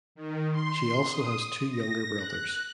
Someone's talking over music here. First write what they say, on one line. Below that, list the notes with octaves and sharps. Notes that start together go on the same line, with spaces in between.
She also has two younger brothers.
D#3
C6
D#6
A#6
F#6